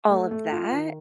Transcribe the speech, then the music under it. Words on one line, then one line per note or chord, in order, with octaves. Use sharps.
all of that,
A3
A3
F4
D#3